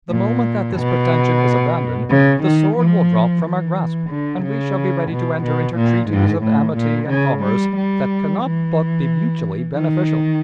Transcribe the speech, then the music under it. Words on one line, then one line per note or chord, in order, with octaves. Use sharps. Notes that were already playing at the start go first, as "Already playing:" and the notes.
The moment that this pretension is abandoned, the sword will drop from our grasp, and we shall be ready to enter into treaties of amity and commerce that can not but be mutually beneficial.
A#2
B2
C#3
D#3
F3
E3
D3
C#3
B2
B2
A#2
G#2
A2
A#2
C#3
G3
G3
E3
D#3